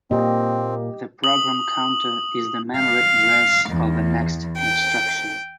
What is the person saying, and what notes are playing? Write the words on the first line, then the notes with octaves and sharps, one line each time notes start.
The program counter is the memory address of the next instruction.
A#2 A#3 C4 G4 D#5
D#6 F#7
F5
E2
G5